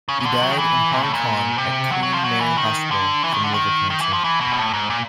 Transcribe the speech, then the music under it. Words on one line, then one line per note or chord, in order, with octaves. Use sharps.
He died in Hong Kong at Queen Mary Hospital from liver cancer.
C#3
C#3
D3
F3
F#3
D#3
E3
A#2
A2
A#2
C3
F#3
F#3
F3
F#3
E3
D#3
D3
E3
D#3
D3
D#3
D#3
E3
F3
E3
B2
G#2
A2
G#2
A#2